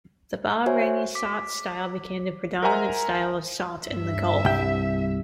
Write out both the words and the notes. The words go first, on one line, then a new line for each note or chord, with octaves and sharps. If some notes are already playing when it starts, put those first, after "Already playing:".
The Bahraini "sawt" style became the predominant style of "sawt" in the Gulf.
F#4 C5 C#5 E5 G#5
D6 B6
A#4 C5 E5 F#5 G#5 A#5
G2 E5
C2 G5